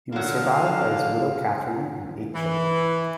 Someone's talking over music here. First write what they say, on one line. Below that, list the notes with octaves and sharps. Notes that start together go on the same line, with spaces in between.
He was survived by his widow Katherine and eight children.
D3 F#3 A#3 F5
E3